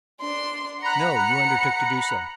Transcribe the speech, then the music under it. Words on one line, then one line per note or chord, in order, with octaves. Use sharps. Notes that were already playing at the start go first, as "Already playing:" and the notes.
"No!--you undertook to do so."
D4 C6
F#5 A#5 B5 F#6 C#7